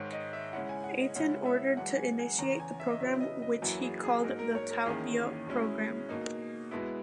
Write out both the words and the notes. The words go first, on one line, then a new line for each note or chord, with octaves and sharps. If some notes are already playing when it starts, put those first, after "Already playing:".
Eitan ordered to initiate the program which he called the Talpiot program.
Already playing: G#2 D#3 G#3 C#5
D#5
E5
C#3 G#3 C#4 E4 F#5
G#5
F#5
D#5
C#3 G#3 C#4 E4 F#5
E5
F#2 E3 G#3 F#5
G#5
G#5
E2 C#3 E3 A#5
G#5
E5
D#5
C#3 F#3 B3 E4 E5
D#5
D#5
F#2 E3 A#3 E4 F#4
G#4
G#4
G#2 F#3 A#3 D#4 A#4
A#4
C#5
A#4
E2 D#3 A#3 C#4 E4 G#4
B2 G#3 C#4 E4
B2 A#3 D#4
B2 G#3 B3 E4